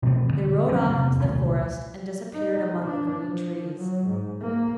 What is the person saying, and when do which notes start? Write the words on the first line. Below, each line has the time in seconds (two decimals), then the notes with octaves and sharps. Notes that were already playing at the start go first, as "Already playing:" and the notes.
They rode off into the forest, and disappeared among the green trees.
0.02 B2 E3 A3 C4
0.27 D#1 B2 D3
0.68 E3 F#3 C4 C#4
0.89 E2 C3 E3 A3
1.19 D#1 C2 D#3 A3
2.33 D#4
2.83 D4
3.25 F3
3.78 F#3
4.07 G#2
4.40 A#3